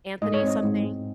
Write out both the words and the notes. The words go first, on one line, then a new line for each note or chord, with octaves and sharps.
Anthony something,
G#2 D#5
C#5
C4
D#5
G#2
G#2